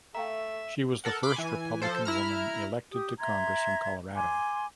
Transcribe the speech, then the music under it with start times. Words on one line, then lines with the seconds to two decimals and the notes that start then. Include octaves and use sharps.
She was the first Republican woman elected to Congress from Colorado.
0.15 A3 E5 F5 G5 A#5
1.04 A4 A#4 F#5
1.23 B5 C6 D6
1.36 E3 G#5
1.82 F3 A4 C5
2.05 E4 A#5 F6
2.92 G4 D#6
3.19 E5 A#5 C6 G#6
4.15 G#5 C6 D6